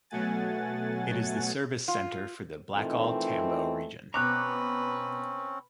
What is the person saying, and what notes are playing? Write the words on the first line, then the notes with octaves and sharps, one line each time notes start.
It is the service centre for the Blackall-Tambo Region.
B2 F#3 A3 F#5 G#5 A6
F4
D#3 E3 A3 C4 D#4 F4
B2 C4 C#4 B4 A#5 C#6 D6 F#6